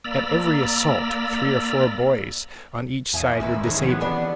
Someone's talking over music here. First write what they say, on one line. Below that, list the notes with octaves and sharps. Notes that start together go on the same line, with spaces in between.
At every assault three or four boys on each side were disabled.
A#3 D5 A#5 B5 E6
E2 E5 F5 G#5 D#6
G#1 A#3 E4 B4
D#3 E3 G#3 C#4 G4 G#4
E3 B3 C4 E6
D4 A4 B4